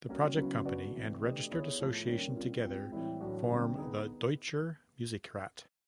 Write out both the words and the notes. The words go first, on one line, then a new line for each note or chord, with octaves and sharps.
The project company and registered association together form the Deutscher Musikrat.
G3 A#3 C#4 F#4 A#4
C#3 F#3 B3 E4
B3 D4 F#4 B4 D5
C3 E3 A3
A3 D4 G4 B4 D#5
B3 E4 G#4 C#5
A2 F3 A3
D#3 G3 A#3 C#4
G3 C4 F4
G#3 C4 F4
A2 E3 G3 C4 E4
A2 F#3 A3 D4 F#4
D3 G3 C4
B3 D#4 G#4